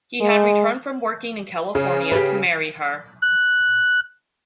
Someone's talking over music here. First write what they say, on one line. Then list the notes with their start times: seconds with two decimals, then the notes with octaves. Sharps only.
He had returned from working in California to marry her.
0.21 G#3
1.75 C#3
2.12 G4 B4
3.22 F#6